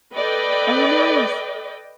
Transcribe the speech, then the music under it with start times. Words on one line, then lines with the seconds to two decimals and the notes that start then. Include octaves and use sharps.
Oh, nice.
0.14 A4 B4 D5 D#5 G5